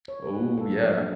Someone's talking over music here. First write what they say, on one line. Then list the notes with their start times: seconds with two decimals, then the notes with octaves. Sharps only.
Oh, yeah.
0.08 C#5
0.24 B4
0.40 A#3
0.57 A4
0.69 F#3
0.83 F3
1.00 D4